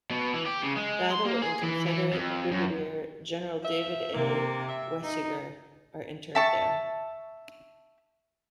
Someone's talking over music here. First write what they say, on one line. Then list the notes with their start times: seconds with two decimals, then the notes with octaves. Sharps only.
Battle and Confederate Brigadier General David A. Weisiger are interred there.
0.10 B2
0.34 E3
0.46 G4
0.63 C#3
0.76 G#3
1.11 C6
1.25 A#3
1.42 G#4
1.63 E3
1.87 E3
2.13 F2
2.51 F#2
3.63 F3 E5
4.14 C3 A#3
4.69 E5
5.03 D#4
6.35 E5 A5 C#6